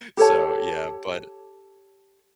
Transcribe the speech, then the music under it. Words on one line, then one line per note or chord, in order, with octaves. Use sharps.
so, yeah, but
G4 A4 C#5 A5